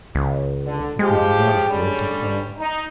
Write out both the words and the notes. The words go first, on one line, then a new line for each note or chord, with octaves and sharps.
He could not afford to fall.
C#2
D3
F3 G#3 G4
D3 G3 C#4
D#4